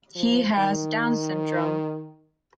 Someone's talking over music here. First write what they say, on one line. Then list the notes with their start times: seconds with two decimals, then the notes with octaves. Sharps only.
He has Down syndrome.
0.15 F3
0.58 D#3